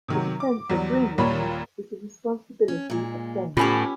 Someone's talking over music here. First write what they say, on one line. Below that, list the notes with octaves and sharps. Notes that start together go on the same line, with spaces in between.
The defence of Greenland is the responsibility of Denmark.
C3 D#3 F#3
D6
E2 F#3 G3
D#2 A#2 G3 C#5 A#5 B5
C#4
A#2 G#3
A2 B3 C#4 E4 F4 G4 G#5